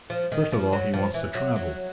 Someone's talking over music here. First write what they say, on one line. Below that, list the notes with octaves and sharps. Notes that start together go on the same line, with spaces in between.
First of all he wants to travel.
F3
D#3
F3
F#3
F3
E3
F#3
F#3